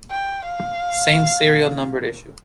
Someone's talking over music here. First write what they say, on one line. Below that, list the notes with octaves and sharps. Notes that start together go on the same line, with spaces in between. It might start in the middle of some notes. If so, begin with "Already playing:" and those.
Same-serial numbered issue.
G5
F5